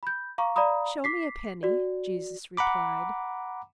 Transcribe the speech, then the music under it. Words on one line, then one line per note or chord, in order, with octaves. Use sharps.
"Show me a penny," Jesus replied.
B5 G6
F5 A#5 C#6 D6
D5 F5 A#5 B5 D#6
D6 B6 C7
F#4 D5
F#5 A#5 B5 D6